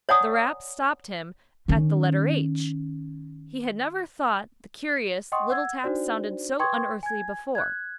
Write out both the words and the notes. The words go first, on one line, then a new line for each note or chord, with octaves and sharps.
The rap stopped him at the letter H. He had never thought the curious little taps sounded so unearthly before.
C#5 D5 F#5 G#5 A#5 D#6
D#3 C#4
D#5 F#5 G5 C6 C#6 D#6
F#5 E6 G#6
D4 D#4 F#4 C5 D5
B4 G5 C6 C#6 D#6 G#6
G#5 G#6
F#6 G#6